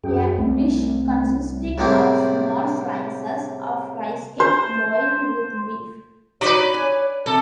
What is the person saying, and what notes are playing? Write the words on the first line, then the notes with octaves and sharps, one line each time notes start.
A dish consisting of small slices of rice cake boiled with beef.
F#2 G#4 G5
C2 A3 C4
C2 A2 G#3 A#3 C4
C5
D#4 F#4 G4 B4 C#5 D5
C#5
G#5
C3 A4 A5